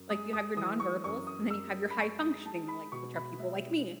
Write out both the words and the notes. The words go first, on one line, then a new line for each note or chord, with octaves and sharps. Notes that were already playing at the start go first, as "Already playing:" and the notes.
Like you have your nonverbals, and then you have your high functioning, like which are people like me.
Already playing: F#2
G#3 D#6
D#6
E3 D#6
C#6
F#2 C#6
D#6
F#2 E6
B5
G#3 C#6
D#6
G#3 A5
B5
B2 C#6
B5
G#3 E5